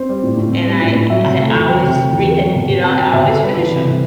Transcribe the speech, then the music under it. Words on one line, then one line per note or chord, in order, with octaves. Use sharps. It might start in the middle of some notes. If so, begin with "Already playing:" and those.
and I I always read it, you know? I always finish 'em.
Already playing: C4 C5
G3
A2
A2
C4
G3
A2
A2
F#3 E5
C3
A3
A4
E2
F#3 G5
C3
A3
E2
C4
F#3
B2
B2
C4 A5
F#3 G5
B2 E5
B2 A4
G3 B4
E3
C3
C3